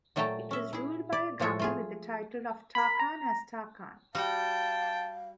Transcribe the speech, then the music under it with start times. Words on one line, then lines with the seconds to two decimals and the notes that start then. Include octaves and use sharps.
It was ruled by a governor with the title of Tarkhan As-Tarkhan.
0.16 A#2 F#3 A3 G5 A5 A#5
0.51 C#4 E5
0.73 E4 G#4
1.12 D5
1.39 A2 F3 F4 A4 C#5 E5
1.59 A3 F4 G#4
2.75 A#4 B5
2.99 A#5
4.15 G3 F#4 F5 G5 A5